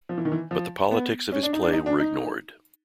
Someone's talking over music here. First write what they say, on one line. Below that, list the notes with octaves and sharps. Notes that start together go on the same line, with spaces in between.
But the politics of his play were ignored.
F3
E3
D#3
E3
F3
B3
C#4
D4
D#4
D4
D#4
D4
D#4